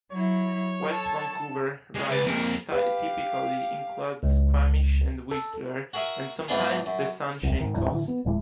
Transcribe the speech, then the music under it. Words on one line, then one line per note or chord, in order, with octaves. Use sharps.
West Vancouver ridings typically include Squamish and Whistler, and sometimes the Sunshine Coast.
F#3 E4 C#5
A4 A5
G#3 G4 D5 D#5
C#2 B4 D5
F2 A#3 A#4 G#5
G4 B4 F5
C#2
A4
F#4 G#4 A#4 E5 D#6
G#2 E3 B3 D4 F4 G#4
F#2
D#1 C2
G#2 D#3
D1 G#2 E3 D4
A2 D3 E3
B3
D1 A2 E3 G#3